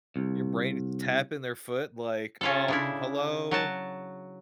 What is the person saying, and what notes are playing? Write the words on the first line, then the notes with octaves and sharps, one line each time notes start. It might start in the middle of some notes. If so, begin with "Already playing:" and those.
Your brain is tapping their foot like, "Um, hello?"
C2
C#4 F4 A4
C#3 D4 E4
F#3 F#4 A5